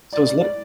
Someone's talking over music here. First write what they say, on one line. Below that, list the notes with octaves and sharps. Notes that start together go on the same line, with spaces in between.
So, it was lit
D5
D5
D5